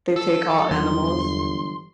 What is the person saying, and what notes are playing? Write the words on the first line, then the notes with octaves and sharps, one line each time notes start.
they take all animals.
F3 A4
G1 E2 E3 F#3 C6